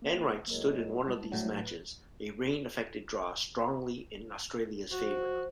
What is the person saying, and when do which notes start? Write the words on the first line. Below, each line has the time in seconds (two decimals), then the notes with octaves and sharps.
Enright stood in one of these matches, a rain-affected draw strongly in Australia's favour.
0.02 A#3 C4
0.47 A2 F#3 G#3 A#3 A#4
1.05 G3 G#3 E4 A5
1.32 A2 F3 F#3 A3 D4
1.58 B4
4.91 F3 F#4